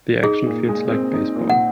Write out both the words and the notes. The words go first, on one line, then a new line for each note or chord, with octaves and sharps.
The action feels like baseball.
D#4 G#4
A#2
G#3
C4
D#4
A#2
F#5